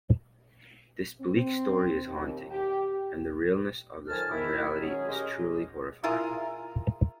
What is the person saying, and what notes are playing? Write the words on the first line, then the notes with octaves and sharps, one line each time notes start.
This bleak story is haunting, and the 'realness' of this unreality is truly horrifying.
C4
D#2
G4
F2 D#3 F#3 G#5 A5 F6
D#3 E4
F#3 G#3 C#4 G#4
G#3 C#4 G4 A#4 D#5
E4 F4 G#4 A#4